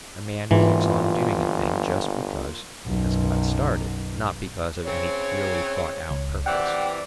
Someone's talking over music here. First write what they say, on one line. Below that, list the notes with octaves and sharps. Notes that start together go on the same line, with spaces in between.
A man keeps on doing a thing just because he has got started, not because of any clearly thought-out purpose.
G1 G#2 E3 A#3 F4 B5
B1 F#2
C#3 C4 C#5
C#2
C3 E3 D5 F#5 G5